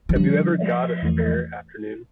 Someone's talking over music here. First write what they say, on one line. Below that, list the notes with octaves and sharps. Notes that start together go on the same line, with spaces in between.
Have you ever got a spare afternoon?
E3
D3 F3 G3 D4
E2 E3 A3